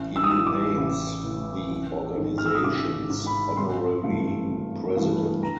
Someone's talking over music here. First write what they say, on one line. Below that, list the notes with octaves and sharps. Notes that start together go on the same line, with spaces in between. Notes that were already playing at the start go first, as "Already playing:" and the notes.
He remains the organization's honorary president.
Already playing: A1
E6
D#6
A2 E3 E6
D6
A1
A2 E3
A1
G#2 D#3
F6
E6
D#6
A1 D6
G#2 D#3
B5
G#1 C6
G2 E3 A3
G#1
G2 E3 A3
A#5